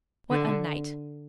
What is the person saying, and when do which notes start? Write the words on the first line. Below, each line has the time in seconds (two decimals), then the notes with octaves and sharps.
What a night!
0.30 D3